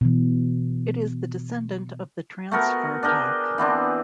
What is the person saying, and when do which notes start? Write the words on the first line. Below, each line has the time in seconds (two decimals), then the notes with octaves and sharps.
It is the descendant of the Transfer Pak.
0.01 B2 E3
2.51 A3 B3 F#4 A#4
3.03 D4 G#4 A#4 G5
3.58 E3 B3 C4 D4